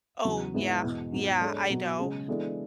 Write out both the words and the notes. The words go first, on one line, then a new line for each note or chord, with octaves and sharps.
Oh, yeah, yeah, I know.
E2 C#3 F#3 B3
G#2 G#3 B3 E4 B4
E2 B2 G#3 B3
G#2 F#3 B3
G#3 D4 A4 C#5
B2 F#3 B3 F#4
C#3 G#3 C#4 G#4
E3 G#3 B3 D4 A4